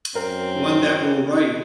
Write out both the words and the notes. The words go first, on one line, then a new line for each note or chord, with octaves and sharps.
One that will write.
F#2 C4 A#4